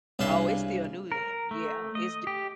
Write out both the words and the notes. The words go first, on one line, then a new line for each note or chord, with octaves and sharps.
Oh, it's still new then, yeah, it's d
C2 G2 C#3 F4 E5 C6
A#4
A3
D#5
G4